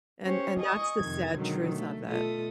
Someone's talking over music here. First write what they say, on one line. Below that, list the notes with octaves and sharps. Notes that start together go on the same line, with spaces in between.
and and that's the sad truth of it.
C#4 G4 C5 C#5
D#5 G#5 C#6 D#6
F2 C3 D#3 G#6
B2 D3 D#3 F#3 G#3
A3
B2 A3 F4 A4 D#6